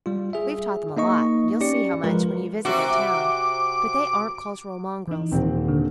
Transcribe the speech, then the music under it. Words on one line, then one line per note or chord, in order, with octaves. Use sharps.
We've taught them a lot--you'll see how much when you visit their town--but they aren't cultural mongrels.
G3 F4
G#4 E5
A#3 D#4 D#5 C#6
C#4 G4 D5 C#7
F3 G#3 F4 A#4 B4
C3 F#4 D6
E3 D#4
D#1 C4
D3